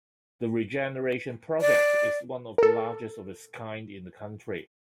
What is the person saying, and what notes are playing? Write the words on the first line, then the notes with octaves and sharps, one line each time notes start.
The regeneration project is one of the largest of its kind in the country.
D5
A4 A#4